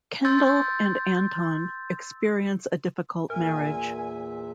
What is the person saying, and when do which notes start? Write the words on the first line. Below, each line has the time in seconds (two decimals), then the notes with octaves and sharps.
Kendall and Anton experience a difficult marriage.
0.25 C6 E6 G6 A6
3.30 E2 A#2 A#4 E5 G#5